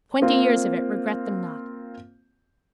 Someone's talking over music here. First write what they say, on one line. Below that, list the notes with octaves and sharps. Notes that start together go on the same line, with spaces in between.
Twenty years of it, regret them not.
A#3 C4 F4